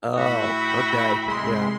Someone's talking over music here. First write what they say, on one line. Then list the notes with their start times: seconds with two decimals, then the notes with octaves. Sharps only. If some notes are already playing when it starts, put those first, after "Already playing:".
Oh, okay, yeah.
0.17 A2 F#4 E5 G5 B5
1.26 C2 G#3 C6